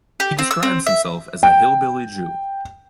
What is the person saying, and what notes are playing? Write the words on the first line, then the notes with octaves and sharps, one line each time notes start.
He describes himself as a "hillbilly Jew".
G4
C4
E6
C4
E5
G5